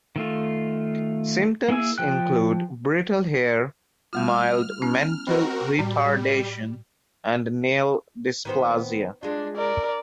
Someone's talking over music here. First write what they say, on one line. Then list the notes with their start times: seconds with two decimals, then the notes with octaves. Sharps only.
Symptoms include brittle hair, mild mental retardation and nail dysplasia.
0.16 D#3 A3 F4
1.69 A#3 E4 G#4 G#5 E6
1.98 F3 G5 F#6
4.13 G3 A3 F4 F6
4.82 B3 C#4 E4
5.27 C4 F#4 A#4 D#5 B5
5.79 A2 G3
8.45 D#3 B3 C5
9.23 G#3 D4 F4
9.57 A#4 D5